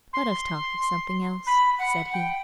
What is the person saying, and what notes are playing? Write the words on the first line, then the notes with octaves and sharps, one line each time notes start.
"Let us talk of something else," said he.
C6
B5
F#5
G5